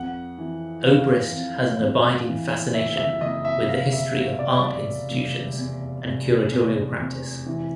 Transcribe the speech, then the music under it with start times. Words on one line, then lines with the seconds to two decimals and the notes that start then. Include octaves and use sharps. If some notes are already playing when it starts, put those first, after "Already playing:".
Obrist has an abiding fascination with the history of art institutions and curatorial practice.
Already playing: F2 F#5
0.38 E3
0.85 F2 F5
1.32 F2
1.79 F2
2.27 E3
2.74 F#1 E5
2.97 E5
3.21 F#1 D#5
3.45 E5
3.68 F1 F5
3.93 E5
4.15 B2
4.39 D5
4.63 E2 D5
5.10 F1
5.57 E2
6.05 F1
6.52 E2
6.99 F1
7.46 E3